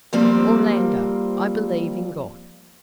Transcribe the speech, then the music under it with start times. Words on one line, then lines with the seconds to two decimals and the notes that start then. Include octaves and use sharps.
"Orlando, I believe in God."
0.13 F3 G3 A#3 C4